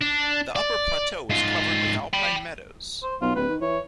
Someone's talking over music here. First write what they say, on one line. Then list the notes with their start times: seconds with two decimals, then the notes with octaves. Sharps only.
The upper plateau is covered with alpine meadows.
0.01 D4
0.56 D5
1.30 G#2 F4
2.14 G5 B5
3.03 C5
3.21 B1 F4
3.36 D1 B4
3.49 D#3
3.61 E3 C#5